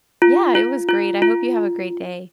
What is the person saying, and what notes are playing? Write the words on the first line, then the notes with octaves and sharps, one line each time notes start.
Yeah, it was great. I hope you have a great day.
F4
F4
F4
F4